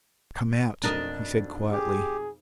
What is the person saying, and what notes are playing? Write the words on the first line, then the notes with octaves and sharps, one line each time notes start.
"Come out," he said quietly.
B1 F2 D4 A#4 D#5
G4 G#4